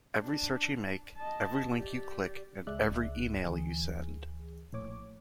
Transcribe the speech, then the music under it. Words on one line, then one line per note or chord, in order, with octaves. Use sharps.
Every search you make, every link you click, and every email you send.
D4
D#5 A5
G4 D5
C#2 G#3 D5 E5 F#6
D2 E3 G#4
A#1 A2 C#5 D6